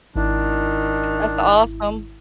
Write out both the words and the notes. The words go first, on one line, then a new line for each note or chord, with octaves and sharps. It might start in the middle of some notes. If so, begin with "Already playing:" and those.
That's awesome.
G#1 D#3 D4 E4